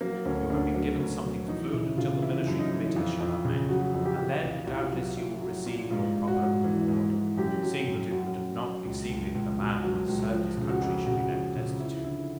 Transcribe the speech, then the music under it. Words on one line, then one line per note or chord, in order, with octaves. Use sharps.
You have been given something for food until the Military Committee shall have met, and then, doubtless, you will receive your proper reward, seeing that it would not be seemly that a man who has served his country should be left destitute.
F#3 A#3
D2 C#4
D2 D4
F#3 D4
D2
F#3
E3 D#4
C#3 E4
C#3 F4
E3 E4
F#2
D#4
E3
F2 F4
F2
C#3
F#3 F#4
F2
G4
F2
C2 F4
C2
F4
F#3
C2 E4
F#3
A#2
G#2 F4
G#2
F#4
G#2
E3
G#2
E3
F#2 G4
F#3
F#2
F#2 F#4
F#2
F#3
C#2
C#2
C#2
B2
F#3
C#2
F3
C#3
F#4
F2
C#3 F#4
F3
C#3
F3 E4
D3 E4